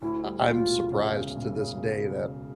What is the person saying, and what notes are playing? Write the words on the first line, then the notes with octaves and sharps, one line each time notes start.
I I'm surprised to this day that,
D2 E4
G3
D2 F4
E1
C#3
E1
E1
C#3